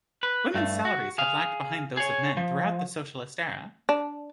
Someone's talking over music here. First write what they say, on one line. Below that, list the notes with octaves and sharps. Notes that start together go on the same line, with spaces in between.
Women's salaries have lagged behind those of men throughout the socialist era.
B4
G2 A3
F#4
G#4 F5
G#4 C#5
F3
D4